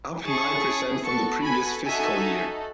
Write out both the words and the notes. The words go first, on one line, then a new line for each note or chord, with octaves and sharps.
Up nine percent from the previous fiscal year.
C#4 E4 G#4 A5 C#6
B3 F#4 A4 A5 C#6
G#5 B5
D#4 F#4 A4 E5 G#5